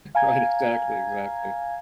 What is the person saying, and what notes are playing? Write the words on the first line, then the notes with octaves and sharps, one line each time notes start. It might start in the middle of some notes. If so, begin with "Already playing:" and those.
Right, exactly, exactly.
F5 G#5 A#5 G#6